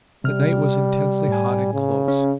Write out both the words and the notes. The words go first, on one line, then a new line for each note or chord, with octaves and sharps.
The night was intensely hot and close.
C3 G3 F6
A2 G#5
C#3
C#4